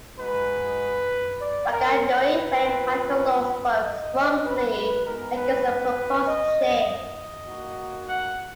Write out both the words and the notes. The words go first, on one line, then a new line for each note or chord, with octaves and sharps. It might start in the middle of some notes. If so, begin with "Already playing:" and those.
Wanganui Mayor Michael Laws spoke strongly against the proposed change.
G#3 D#4 F#4 B4
D5
A#4
B4
A#3 F4
D#5
B4
B4
G#3 B3 D#4 F#4 A#4
B4
D#5
D#5
A#3 D#4 F#4
F#5